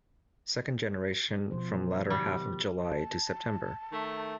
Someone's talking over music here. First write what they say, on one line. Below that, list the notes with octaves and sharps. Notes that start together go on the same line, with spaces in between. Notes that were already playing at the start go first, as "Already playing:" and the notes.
Second generation from latter half of July to September.
B2 F3 C5
D#3 G3
A5
D#3 A3